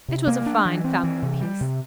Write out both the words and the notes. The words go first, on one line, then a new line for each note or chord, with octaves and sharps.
It was a fine family-piece.
C3
A#3
D4
E3
C4
E3
C3
G3
C3